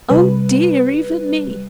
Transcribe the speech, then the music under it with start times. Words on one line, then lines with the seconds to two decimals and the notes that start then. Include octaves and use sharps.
Oh dear, even me.
0.09 C3 G3 B4